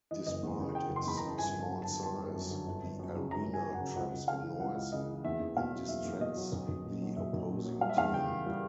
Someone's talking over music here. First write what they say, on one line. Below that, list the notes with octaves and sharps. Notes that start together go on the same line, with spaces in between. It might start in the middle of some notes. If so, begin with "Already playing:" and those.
Despite its small size, the arena traps in noise, and distracts the opposing team.
E3 D#5
F#1 D#5
E2
C#3
E3 G5
F#1
C6
E2 B5
A#5
C#3 A5
G1 G#5
G1
A5
F#2
D3 A5
G1 A5
G1
F#2
D3
G1
G1
F#2
C#3
G1 A#5
G1
G#5
F#2
F#5
C#3
C#2 F#5
C#2
C#3 F5
E3
C#2 F#5
C#2
C#3 D#5
E3
E2 E5
E2
B2 F5
F#3
E2 E5
E2
B2 D#5
F#3
B1
B1
A#2
F#3
B1 E5
B1
A#2
F#3
G3 F5
E5
E2 F5
C#3 G5
E3
G3